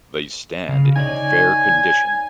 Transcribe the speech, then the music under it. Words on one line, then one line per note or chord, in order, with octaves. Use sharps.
They stand in fair condition.
C#3 F5
D#4 C#5 D5 G#5